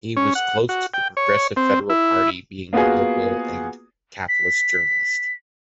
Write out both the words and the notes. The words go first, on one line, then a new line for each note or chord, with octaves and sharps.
He was close to the Progressive Federal Party being a liberal and capitalist journalist.
C#4
F#5
F#4
G5
C#5
C4
E4
A#3 B3 F4 F#4 G#4
B6